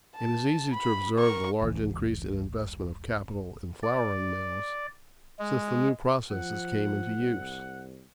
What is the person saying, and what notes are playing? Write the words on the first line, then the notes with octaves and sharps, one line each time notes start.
It is easy to observe the large increase in investment of capital in flouring-mills since the new processes came into use.
A5
B5
A#4 C#6
F1 C#2 G#2 E3
D5
G#3
F3 F#5
C2